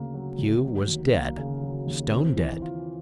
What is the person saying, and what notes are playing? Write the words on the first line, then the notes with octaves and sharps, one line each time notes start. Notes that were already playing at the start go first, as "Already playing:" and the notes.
Pew was dead, stone dead.
Already playing: D2 C#3 A#3
F#3
D2
F#3
D#2
A#3
C#3
F#3
D#2
C4
E3
F4